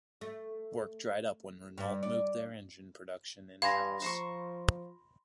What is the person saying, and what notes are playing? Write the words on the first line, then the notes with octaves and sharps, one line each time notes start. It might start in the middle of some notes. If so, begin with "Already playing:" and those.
Work dried up when Renault moved their engine production in-house.
A3
G2
D5
G2 F5 G#5 B5 C6 A#6
F3 C5 A#5 C#6